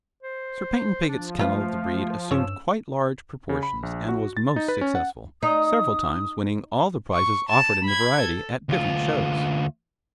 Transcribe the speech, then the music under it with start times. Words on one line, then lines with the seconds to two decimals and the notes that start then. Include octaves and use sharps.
Sir Paynton Pigott's kennel of the breed assumed quite large proportions, and was most successful, several times winning all the prizes offered in the variety at different shows.
0.23 C5
1.09 F3 D4
1.39 A3 F4 B4 F5
2.31 G2 C#4 C#5 E6
3.49 C#3
3.63 B5
3.83 A#1
4.09 F#4
4.37 A6
4.56 D#4
4.68 B4
4.81 C#4
4.95 F#5
5.43 D#4 D#6
7.14 C#6
7.49 A5 E7
7.85 B5 G#6
8.20 A4
8.69 D2 F4